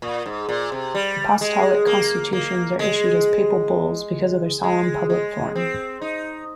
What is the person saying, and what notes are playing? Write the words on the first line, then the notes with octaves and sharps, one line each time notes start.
Apostolic constitutions are issued as papal bulls because of their solemn, public form.
A#2
G#2
A#2
C3
G3
G#3
A#3
A#3
G#3
G#3
G#3
C4
D#4